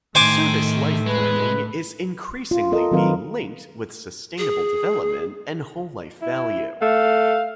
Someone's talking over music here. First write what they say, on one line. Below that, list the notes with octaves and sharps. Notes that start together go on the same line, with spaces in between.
Service life planning is increasingly being linked with sustainable development and wholelife value.
A2 D#3 A3 C5 G#5 D6
G#3 B4
F4
F4 A4 A#4 D#5
D#3 F#3 C4 A#4 B4 F5
G#4
E4
A3 F5